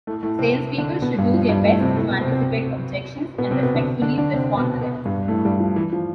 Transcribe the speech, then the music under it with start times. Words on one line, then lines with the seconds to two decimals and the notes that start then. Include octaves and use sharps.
Salespeople should do their best to anticipate objections and respectfully respond to them.
0.07 A2 A3
0.23 A2 A3
0.38 C3 C4
0.78 D3 D4
1.02 B2 B3
1.18 G2 G3
1.34 F3
1.49 G2 G3
1.65 A2 A3
1.81 C3 C4
1.97 A2 A3
2.08 B2 B3
2.21 C3 C4
2.32 C3 C4
3.38 B2 B3
3.51 C3 C4
3.63 B2 B3
3.75 D3 D4
4.02 D3 D4
4.17 D3 D4
4.34 C3 C4
4.57 B2 B3
4.81 B2 B3
5.05 G2 G3
5.28 A2 A3
5.45 G2 G3
5.60 F3
5.76 E3
5.93 F3